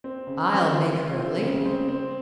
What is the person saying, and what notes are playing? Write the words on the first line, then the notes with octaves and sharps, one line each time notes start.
"I'll make her a lady."
C4
C#3
C4
F4
F4
C4
C#3
C4
C4